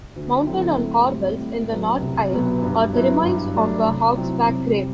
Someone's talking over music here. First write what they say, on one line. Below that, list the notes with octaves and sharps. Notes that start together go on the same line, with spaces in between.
Mounted on corbels in the north aisle are the remains of a hogsback grave.
D2
D3 F#3 C4 E4
A2
G3 C4
A2
F#3 B3 D4
C2
B2 F#3 B3
G2
F#3 B3 E4
G2
F#3 A3 D4
C3
F#3 C4 E4
C3
G3